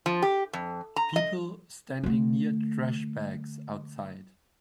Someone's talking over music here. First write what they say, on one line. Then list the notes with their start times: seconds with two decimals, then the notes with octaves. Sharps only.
People standing near trash bags outside.
0.06 F3
0.22 G4
0.53 F2
0.96 A#5
1.16 D#5
2.04 D3 A3